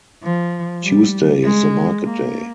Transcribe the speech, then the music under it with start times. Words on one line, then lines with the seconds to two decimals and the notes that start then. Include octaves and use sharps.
Tuesday is the market day.
0.23 F3
0.83 G3
1.43 G#3
2.03 A#3